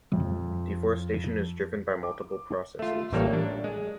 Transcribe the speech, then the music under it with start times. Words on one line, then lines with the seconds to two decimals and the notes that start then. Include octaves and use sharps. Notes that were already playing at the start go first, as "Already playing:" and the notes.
Deforestation is driven by multiple processes.
0.14 F2
2.03 D6
2.79 A3 F4
3.13 A1 E3 G3 A#3 A4 C#5
3.33 D4
3.64 G#3